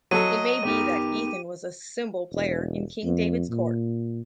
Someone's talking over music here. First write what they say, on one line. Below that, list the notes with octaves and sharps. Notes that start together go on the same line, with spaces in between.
It may be that Ethan was a cymbal-player in King David's court.
F#3 A4 D#5 D#7
B3 D#4 G4 A#4
E1
F2
A#2